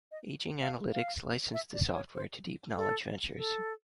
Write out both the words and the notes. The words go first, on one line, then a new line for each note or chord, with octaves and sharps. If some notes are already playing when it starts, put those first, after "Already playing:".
Aging Analytics licensed the software to Deep Knowledge Ventures.
D#5
F5
F5
E5
D5
C5
C#5
C5
A4
A4